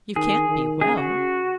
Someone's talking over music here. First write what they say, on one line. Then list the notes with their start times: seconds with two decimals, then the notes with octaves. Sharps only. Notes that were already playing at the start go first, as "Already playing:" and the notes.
'You can't be well.
0.16 D#3 G#4
0.49 D#3
0.81 C#3 G#4
0.97 F#4
1.14 C#3